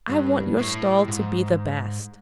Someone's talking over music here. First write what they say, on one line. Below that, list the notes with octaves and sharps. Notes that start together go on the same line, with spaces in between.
'I want your stall to be the best.'
G2
A2
G#2